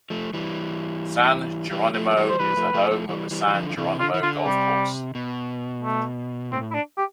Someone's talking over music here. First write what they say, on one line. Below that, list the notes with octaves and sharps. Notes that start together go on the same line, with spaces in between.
San Geronimo is the home of the San Geronimo Golf Course.
F3 A3
E3 G3
E3 G3
F3 A3
A3
E3 G3
F3 C5
E3 G3 B4
F3 A3
F3 A3
F3 A3
E3 G3
E3 G3
E3
D3 F3
F3
C3 E3
D3 F4
E3
D3 F4
C3 G3
B2
A3
A2 C4
E4
D4
G4